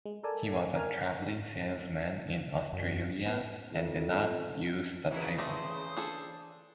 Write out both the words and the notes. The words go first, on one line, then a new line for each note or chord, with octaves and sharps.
He was a travelling salesman in Australia and did not use the title.
G#3
A4 A#4 D5 G#5 A5
A#4 G#5 F6
F#2
B3
F2
C#3 E3 F#3 E4
A3 C5 D5 D#5
D4 G#4 A4